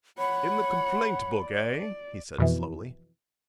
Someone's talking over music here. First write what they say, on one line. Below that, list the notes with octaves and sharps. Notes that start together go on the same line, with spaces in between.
"In the complaint-book, eh?" he said, slowly.
C#5 F#5 B5
D5
F2 B2 E3